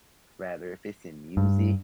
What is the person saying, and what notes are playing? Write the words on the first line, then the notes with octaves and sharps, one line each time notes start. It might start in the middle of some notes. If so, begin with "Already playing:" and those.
Rather if it's in music
G2